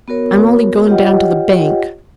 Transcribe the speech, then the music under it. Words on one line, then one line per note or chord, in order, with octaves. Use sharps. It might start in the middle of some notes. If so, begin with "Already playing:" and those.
"I'm only going down to the bank."
B3 F#4 A#4 C#5
F4 G4 C#5 D#5 F#5 G5